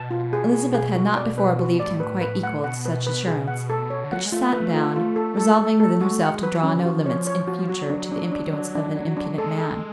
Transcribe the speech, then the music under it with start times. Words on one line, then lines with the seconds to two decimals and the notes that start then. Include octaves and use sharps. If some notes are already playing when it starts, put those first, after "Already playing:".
Elizabeth had not before believed him quite equal to such assurance; but she sat down, resolving within herself to draw no limits in future to the impudence of an impudent man.
Already playing: B2 A5
0.11 F4
0.33 G#4
0.53 G#4
0.74 G#4
0.96 F#4
1.16 D5
1.38 B4
1.59 F#4
1.80 A2 D5
2.00 B4
2.21 B4
2.43 F#5
2.64 B2 F#5
2.86 B4
3.07 B4
3.28 G#4
3.47 F#5
3.70 A4
3.90 C#5
4.04 D3
4.11 F3 F#5
4.18 F#3
4.25 G#3
4.32 A3 F4
4.53 B4
4.74 F4
4.96 F4
5.16 A4
5.37 A4
5.59 A4
5.80 A4
6.00 G#3 F#4
6.10 A3
6.20 G#3 F#5
6.43 F#3 B4
6.63 C#4
6.75 D3
6.85 F3 F#4
7.06 C#5
7.27 C#5
7.48 F#4
7.69 F#3 F#4
7.90 D4
8.12 D4
8.32 D4
8.53 D4
8.75 D4
8.95 D4
9.17 D4
9.38 G#3 A4
9.58 A4